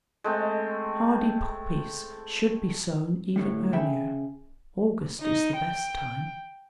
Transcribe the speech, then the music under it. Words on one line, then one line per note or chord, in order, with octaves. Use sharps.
Hardy Poppies should be sown even earlier; August is the best time.
G#3 A3 C4
A2 D3 G3
C#3 E5 G5 B5
D#4
G5